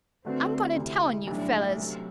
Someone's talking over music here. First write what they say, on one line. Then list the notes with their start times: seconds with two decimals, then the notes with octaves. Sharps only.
"I'm going to tell on you fellows!"
0.24 D3 A3 C4 D4 F#4 B4
0.76 D2 C3 E3
1.27 B1 A2 E3 G3 D4
1.78 C3 F#3 A3